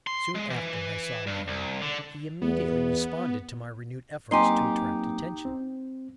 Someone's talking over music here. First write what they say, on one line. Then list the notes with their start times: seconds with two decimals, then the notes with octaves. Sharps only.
Soon after I saw a man; he immediately responded to my renewed efforts to attract attention.
0.07 C6
0.35 G#3
0.50 E3
1.27 G2
1.48 C2
1.82 D3
2.42 E2 B3
4.31 F#3 A#3 C4 D#4 G4 G#5 C6 C7
5.45 C4